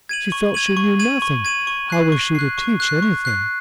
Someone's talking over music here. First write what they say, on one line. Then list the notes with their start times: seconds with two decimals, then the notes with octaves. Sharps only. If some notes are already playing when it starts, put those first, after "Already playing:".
She felt she knew nothing: how was she to teach anything?
0.09 G#6 D#7 F#7
0.32 C#6
0.54 G#6 D#7 F#7
0.77 C#6
0.99 G#6 D#7 F#7
1.22 C#6
1.45 G#6 D#7 F#7
1.67 C#6
1.90 F#6 C7
2.12 C#6
2.35 F#6 C7
2.58 C#6
2.80 F#6 C7
3.02 C#6
3.25 F#6 C7